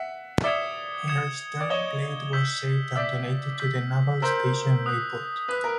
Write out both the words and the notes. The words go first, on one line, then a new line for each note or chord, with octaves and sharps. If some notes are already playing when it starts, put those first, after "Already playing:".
Her stern plate was saved and donated to the Naval Station Mayport.
Already playing: E5 F#5
D5 E5 D#6 G#6 C#7 E7 G7
D#6 G#6 C#7 E7 G7
D5
C#5 D#5 D#6 G#6 C#7 E7 G7
E6 G6 B6
D5 E5 E6 G6 B6
E6 G6 B6
A#4 C5 E6 G6 B6
D#6 F#6 B6
B4 D#6 F#6 B6
A#4